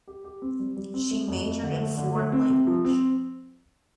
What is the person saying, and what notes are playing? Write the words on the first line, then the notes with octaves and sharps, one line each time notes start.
She majored in foreign language.
G4
G4
C4
G3
G3
C4
A3
F2
A3
D3
A3
D3
A3
C4
C3
F3
C4